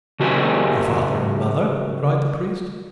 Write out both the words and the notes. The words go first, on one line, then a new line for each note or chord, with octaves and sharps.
"Your father and mother?" cried the priest.
C#3 F#4 G4 A#4 C5 G#5